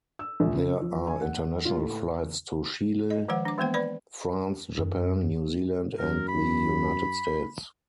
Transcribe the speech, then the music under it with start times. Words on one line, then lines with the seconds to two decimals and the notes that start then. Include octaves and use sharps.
There are international flights to Chile, France, Japan, New Zealand and the United States.
0.19 E6
0.40 A#1
0.53 C#3
0.81 F3
1.07 G#5
1.21 F#5
1.65 F4
1.77 A2
3.10 D#5
3.28 D#3 F3 G#3 C5 F#5
3.45 D4 D6
3.58 E3 G#3 A#3 B3 C5 G5
3.74 B4 D5 B5
4.79 F#2
5.98 F#2 A#4
6.28 B5